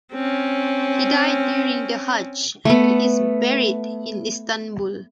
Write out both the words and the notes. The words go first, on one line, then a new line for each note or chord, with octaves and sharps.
He died during the "hajj" and is buried in Istanbul.
C4 C#4
A3 B3